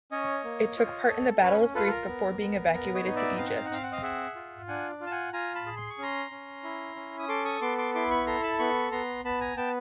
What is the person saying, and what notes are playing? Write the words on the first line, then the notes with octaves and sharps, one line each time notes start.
It took part in the Battle of Greece before being evacuated to Egypt.
C#4 C#5 D#5
A#3
F4
A4
C#4 B4 C#5
F4 A4 B4
A4
A#4
B3
B3
B3 A#4
C#5 D#5
D#4 D#5
D5 E5
C4 F5
F#5
F5
F#5
C4 F5
F#5
D#5 F5
G#4 E5 F#5
F4
D4 F#5 G#5
F4
A5
F#5 G#5
F4 G#5 A#5
A5 B5
G#4
C6
C#6
C#4 A#5 C6
C#4
E4
C#4
D#6
A4 C6 D6
C#6 D#6
B3 C6 D6
C6 D6
E4 C6 D6
B5 C#6
A4 A#5 C6
A5 B5
B3 B5 C#6
B3 A#5 C6
B3 A5 B5
G#5 A#5
B3 G5 A5